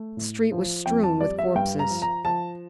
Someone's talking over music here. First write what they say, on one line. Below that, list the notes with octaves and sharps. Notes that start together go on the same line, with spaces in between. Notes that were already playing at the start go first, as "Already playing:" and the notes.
The street was strewn with corpses.
Already playing: A3
A2
F3
F2 G5
A5
G3 D5
E5
G2 G5
A#5
F3
A#5
F3 A5